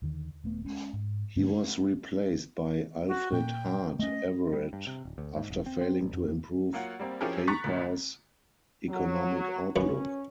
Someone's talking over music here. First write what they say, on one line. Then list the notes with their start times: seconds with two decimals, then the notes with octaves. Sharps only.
He was replaced by Alfred Hart Everett after failing to improve Papar's economic outlook.
0.02 D#2 D3 D#3
0.44 D#1 A3 B3
0.65 G#3 C#4
0.93 G#2
1.36 G2 D3 A3
3.07 F#4
3.32 A#2 G5
3.99 A3 C#4 D#5
4.53 G3
4.73 G2
4.87 C3
5.05 D1
5.18 D2
5.36 G#2
5.50 D#1
5.66 C4
5.81 C4
6.01 A1
6.13 F2
6.28 E2
6.73 F#3 A#3 F4 F#5
7.00 G3 A#3 C4
7.21 F3 C#4 E4 G4 G#4 A#4
7.47 A#5 C#6 F#6 A6 B6
7.64 D2 A#2
8.89 F#3
9.76 F#2 F#3 B3 C#4